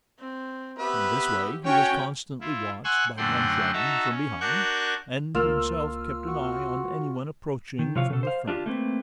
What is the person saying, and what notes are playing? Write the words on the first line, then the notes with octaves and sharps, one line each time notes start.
In this way, he was constantly watched by Moncharmin from behind and himself kept an eye on any one approaching from the front.
C4
B3 G4 B4 E5
C#4 F#4 C#5 G5
E4 F4
F#5 G#5 C6 C#6 E6 F#6
F#2 D3 A3 F#5 G5 C6
D#4 F#4 E5 A5 A#5
C#4
D4 F#4 A#4 C#6 F#6 G6
C#2 A#3 F4 E6 F6
F#4
D#3
C3 F3 F4 C#5 F5
B2 A4
C5 F5
D4 F4 G4
A3 A#3 C4 B4